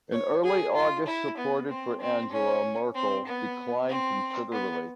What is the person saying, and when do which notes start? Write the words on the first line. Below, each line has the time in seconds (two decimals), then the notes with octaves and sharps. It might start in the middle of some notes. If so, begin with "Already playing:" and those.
In early August support for Angela Merkel declined considerably.
0.12 C#5
0.44 G#4
0.75 F4
1.06 E4
1.37 B3
1.69 C4
2.01 C4
2.32 C#4
2.95 C4
3.26 B3
3.89 C4
4.52 B3